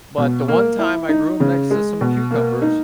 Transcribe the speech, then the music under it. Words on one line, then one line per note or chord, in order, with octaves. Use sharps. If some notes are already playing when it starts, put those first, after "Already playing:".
But the one time I grew 'em next to some cucumbers,
B2
A#3
E4
D#4
C#3
G#3
B2
A#3
D#4